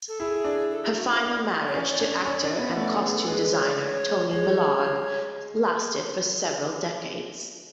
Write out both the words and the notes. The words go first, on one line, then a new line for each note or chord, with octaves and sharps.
Her final marriage, to actor and costume designer Tony Millard, lasted for several decades.
A4
E4 G#4
D4
A4
G#4
F#4
E4
C#5
C#4 D5
D5
D4 C#5
C#4 D5
D4 D5
E5
B3
A3 D5
A4
G#4
A4
G#3 B4
B4
C#5
D5
C#5
G#3 C#5